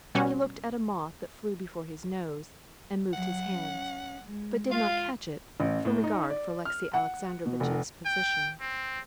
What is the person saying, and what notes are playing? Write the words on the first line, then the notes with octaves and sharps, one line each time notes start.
He looked at a moth that flew before his nose, and moved his hands, but did not catch it from regard for Alexey Alexandrovitch's position.
B2 G3 C#4 F#4
F#3 F#5
C#4
G#3
F4 F5
A1
A2
D#4
D5
F6
F#5
B2
F1
G5
C4